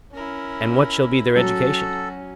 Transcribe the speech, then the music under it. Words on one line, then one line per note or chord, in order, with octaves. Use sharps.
And what shall be their education?
C#4 E4 A#4
F#3 C#4 F#4 A4